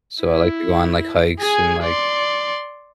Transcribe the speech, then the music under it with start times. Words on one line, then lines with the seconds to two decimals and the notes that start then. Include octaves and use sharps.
So I like to go on, like, hikes and, like,
0.22 E4
1.40 G#4 G#5
1.83 D5 C6